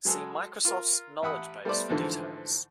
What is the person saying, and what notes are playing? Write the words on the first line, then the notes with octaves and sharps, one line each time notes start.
See Microsoft's knowledge base for details.
F#3 G#3 G#4 A4
F4 A#4
A1 E5 F#5 B5 D#6
G3 A3 B3 E4 C5 D5
G#2 D3 E3 F3 A3